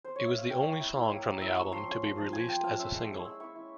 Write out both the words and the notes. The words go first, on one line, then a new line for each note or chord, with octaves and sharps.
It was the only song from the album to be released as a single.
C5
C#5
E5
F5
A#3 G5
E4
E4
E4
A#3
A#3
E4 E6
A#3 C#6
F3 C6
C#4
F3
F3
F4 G#5
F4 G5
F3 F5
C#4 E5
G#3 C6
E4
C#6
E4 E6
E4 C#6
E4